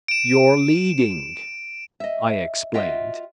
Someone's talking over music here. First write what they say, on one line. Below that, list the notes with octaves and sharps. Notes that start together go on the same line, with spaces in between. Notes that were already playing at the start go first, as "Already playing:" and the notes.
"You're leading," I explained.
D7 E7
D#5 E5
F4 F#4 D#5 E5 G5